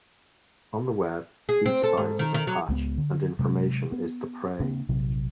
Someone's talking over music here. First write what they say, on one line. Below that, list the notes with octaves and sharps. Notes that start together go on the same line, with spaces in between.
On the Web, each site is a patch and information is the prey.
G#4
C4
A4
G#2
D#3
D#3
F#3
C#2 G#3 A3 B3
D3
C3 F#3 G#3
B3
C#3 A#3 C4 D4
A#1 C3 F#3